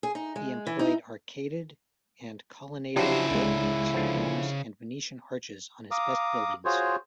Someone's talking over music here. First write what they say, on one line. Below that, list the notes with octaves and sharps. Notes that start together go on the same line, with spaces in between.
He employed arcaded and colonnaded loggias, domes, and Venetian arches on his best buildings.
G#4
D#4
G#3
E3
D#4
C#3 F3 F#3 D4 E4 G4 C5
C#2 D3 G#3
D3 F3
F5 A#5 D6 D#6
F4 F#4 G#4 C5 C#5